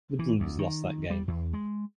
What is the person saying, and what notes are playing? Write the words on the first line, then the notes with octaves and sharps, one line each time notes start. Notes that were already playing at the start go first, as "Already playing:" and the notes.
The Bruins lost that game.
E3
D2
D#3
G3
E2
G#3